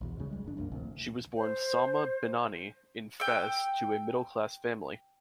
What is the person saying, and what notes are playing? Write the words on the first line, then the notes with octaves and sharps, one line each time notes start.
She was born Salma Bennani in Fes to a middle class family.
B1 E2 B2
D#2 C#3 G#3
C#2 G3 G#3
F#1 D4
C2 F#2 G#3 A#3
A1 D2 C3
C5
G5 E6